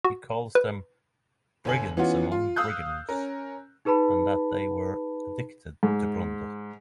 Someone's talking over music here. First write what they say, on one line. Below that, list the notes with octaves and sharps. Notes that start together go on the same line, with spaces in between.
He calls them "brigands among brigands" and that they were "addicted to plunder".
F#4
B4
G1 G#5 F#7
E3 B3 C#4 F4 F#4
F4
F5 D#6 E6 F#6 G6
C#4 A#4
D#4 G#4 B4 A5 B5
G#2